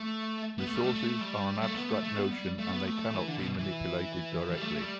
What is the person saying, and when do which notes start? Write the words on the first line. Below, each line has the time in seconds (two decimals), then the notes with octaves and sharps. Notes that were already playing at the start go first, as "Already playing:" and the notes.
Resources are an abstract notion and they cannot be manipulated directly.
Already playing: A3
0.58 B3
0.67 A3
0.75 G3
0.84 A3
1.21 G3
1.62 A3
1.76 B3
1.89 A3
2.03 A3
2.17 B3
2.31 G3
2.58 A3
2.72 B3
2.85 A3
2.99 A3
3.14 E3
3.27 D3
3.37 B2
3.58 E3
4.51 G3
4.61 A3
4.75 A3
4.81 G3